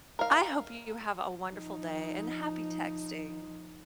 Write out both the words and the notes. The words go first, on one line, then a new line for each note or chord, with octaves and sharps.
I hope you have a wonderful day and happy texting.
A#4 F5
F3 D#4